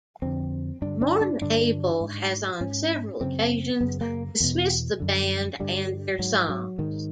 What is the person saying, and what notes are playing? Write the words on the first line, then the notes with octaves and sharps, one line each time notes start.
Morten Abel has on several occasions dismissed the band and their songs.
F2 D3 C4
G2 D3 D4
D4
D4
G2 D3 D4
G#2
G#2 C#4
F#2 C#3 C4
F#2 C#3 B3
A#3
E2 B2
F#2 D3
G2 D3 G3
G#2 F#3
F#3
G#2 D#3